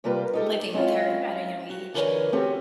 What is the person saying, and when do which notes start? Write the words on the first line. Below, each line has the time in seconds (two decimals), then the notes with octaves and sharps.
living with her at a young age,
0.04 C3 G3 A#3 F4 G4 B4
0.33 D#4 G4 A4
0.73 G#3 C4 C#4 E4 F4
1.70 F#4
1.94 D3 E3 A#4 B4 C#5 G#5
2.32 A3 C4 C#4 F#4 G4 A4